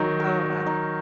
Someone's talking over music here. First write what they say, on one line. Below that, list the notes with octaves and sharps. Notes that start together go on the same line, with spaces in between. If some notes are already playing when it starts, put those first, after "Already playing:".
Oh, wow.
Already playing: D#3 F#3 D#4 F#4
A#4
D#4